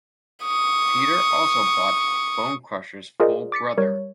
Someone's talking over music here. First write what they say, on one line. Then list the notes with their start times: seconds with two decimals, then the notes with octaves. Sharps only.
Peter also bought Bonecrusher's full brother.
0.44 C#6 D#6
3.20 F4 G#4 A#4 C5 D5 D#5
3.52 D6 A6 B6 C#7
3.77 G3 A#4 C#5